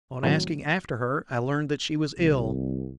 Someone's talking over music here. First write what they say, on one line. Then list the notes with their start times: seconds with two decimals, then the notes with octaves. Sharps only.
On asking after her I learned that she was ill.
0.23 A2 C3 D#3 F#3
2.18 C2